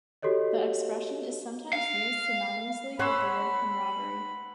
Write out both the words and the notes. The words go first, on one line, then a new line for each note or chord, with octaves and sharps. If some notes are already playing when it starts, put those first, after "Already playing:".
The expression is sometimes used synonymously with the word camaraderie.
F#4 G4 A4 C#5 D#5
F5
C#4 F#5 B5 C6 E6